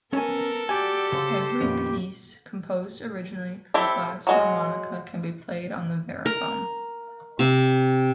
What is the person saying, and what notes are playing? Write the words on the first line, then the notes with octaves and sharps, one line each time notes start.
Every piece composed originally for glass harmonica can be played on the verrophone.
B3 C#4 A4 A#4 G#5
F#4 G4 D5 G#5
C#3 C5
F2 A#2 D#3 B3 C#4
C4 E4 G4 A4
F#3 G#3 F#4
A#4
C3